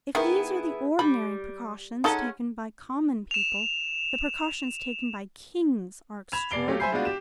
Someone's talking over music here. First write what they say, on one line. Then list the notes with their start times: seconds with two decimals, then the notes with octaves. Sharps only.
If these are the ordinary precautions taken by common people, the precautions taken by kings are extraordinary.
0.15 D#3 B3 E4 G#4
0.99 G3 B5
2.04 G#3 C#4 D#4 A4 F#5
3.31 E7 F7
6.32 B5 G#6 E7 F7
6.51 F1 D5 C7 D7 G7
6.68 F#3 A3 F4 G4
6.80 C5 E5 G#5 B5 G6 C7
6.92 G#3 B3 D4 F4 F#4
7.05 G4 E7